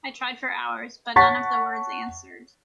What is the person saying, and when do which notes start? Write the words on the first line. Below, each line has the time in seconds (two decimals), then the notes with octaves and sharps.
I tried for hours, but none of the words answered.
1.16 C#5 F#5 A5 C#6 A6 B6